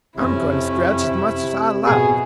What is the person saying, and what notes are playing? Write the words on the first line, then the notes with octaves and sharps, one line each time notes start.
"I'm going to scratch as much as I like!"
F2 C3 C#4 E4
B2 G#4